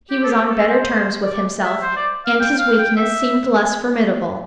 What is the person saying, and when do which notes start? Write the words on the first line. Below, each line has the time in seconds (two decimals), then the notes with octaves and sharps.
He was on better terms with himself, and his weakness seemed less formidable.
0.11 G4
0.24 A4
0.29 G4
0.50 A4
0.69 C5
1.25 D5
1.63 E5
1.82 C5
1.96 D5
2.26 F5
2.40 G5
2.58 F5
2.78 G5
2.97 E5